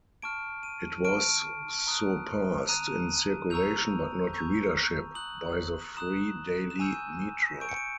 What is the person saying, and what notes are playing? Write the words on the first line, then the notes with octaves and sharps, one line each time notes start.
It was surpassed in circulation, but not readership, by the free daily "Metro".
A5 C#6 F6 D7
D#7
A5 C#6 F6 D7
A#5 D#6 F#6
A#5 D#6 F#6 D#7
A#5 C#6 E6 G6 F7
A#5 C#6 E6 G6
A#5 D#6 F#6 F#7
A#5 D#6 F#6 E7
E7
G#5 C#6 E6 G6 D#7
G#5 C#6 E6 G6 D7
C#7
D7